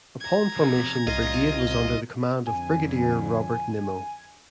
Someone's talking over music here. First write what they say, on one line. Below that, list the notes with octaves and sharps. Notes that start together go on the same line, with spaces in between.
Upon formation the brigade was under the command of Brigadier Robert Nimmo.
A#5 G#6
C3 F3
C2 F4 D#5
F2 D3 G#5